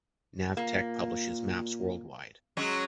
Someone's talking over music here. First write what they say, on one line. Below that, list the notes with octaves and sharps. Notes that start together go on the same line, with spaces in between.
Navteq publishes maps worldwide.
A#2 A#3
F#3 G#3 C#4